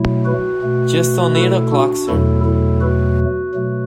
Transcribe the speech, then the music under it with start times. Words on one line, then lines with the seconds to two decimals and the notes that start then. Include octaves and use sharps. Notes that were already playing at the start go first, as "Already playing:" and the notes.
Just on eight o'clock, sir.
Already playing: B2 F#3 A3 E4
0.25 F#4 B4
0.62 B2 A3
1.35 E4 A4
1.72 D4 F#4
2.08 E2 B2 F#3 A3 E4 A4
2.44 E4 A4
2.81 F#4 B4
3.54 B2 F#3 A3